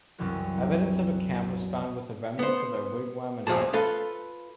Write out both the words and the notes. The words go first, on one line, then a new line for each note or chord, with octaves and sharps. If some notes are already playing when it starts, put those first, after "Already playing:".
Evidence of a camp was found with the remnants of a wigwam and hearth.
C2 F#2 C3 E3 F#3 F#4
B3 C5
D#2 A#2 F3 G#4 A5
F4 A4 B4